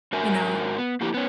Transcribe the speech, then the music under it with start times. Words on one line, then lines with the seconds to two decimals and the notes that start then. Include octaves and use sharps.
you know,
0.13 G#2 F#4 A#4 E5 G#5
0.78 B3
1.01 F2 A3 A#3 E4 G4
1.14 B3 C#4